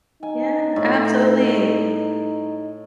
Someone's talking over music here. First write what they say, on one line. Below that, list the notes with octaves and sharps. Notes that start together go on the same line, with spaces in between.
Yeah. Absolutely.
D#4 G#5
A2